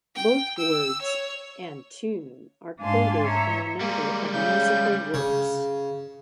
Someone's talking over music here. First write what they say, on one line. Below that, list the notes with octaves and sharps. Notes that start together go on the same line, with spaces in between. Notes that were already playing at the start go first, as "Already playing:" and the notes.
Both words and tune are quoted in a number of musical works.
G5
E6
C#5
G#2 D4 F5 G#5 A5 C6
C#5 E5 A#5
G3 G#3 A#3
C#3 G6
C#3